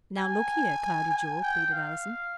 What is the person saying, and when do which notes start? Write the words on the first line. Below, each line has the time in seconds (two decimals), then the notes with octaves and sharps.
"Now, look here, Cloudy Jewel," pleaded Allison.
0.18 G#5
1.11 G#5
1.43 G5
1.73 F5